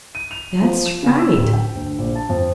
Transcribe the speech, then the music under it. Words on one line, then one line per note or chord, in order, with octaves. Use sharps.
"That's right!"
D#7
F7
F3
E7
C#3
E6
D1
G5
D2
A#1
A5
F2